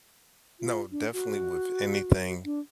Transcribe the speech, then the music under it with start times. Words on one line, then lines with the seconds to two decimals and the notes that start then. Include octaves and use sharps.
No, definitely with anything,
0.60 F4
0.92 D4
1.13 F#4
2.45 D4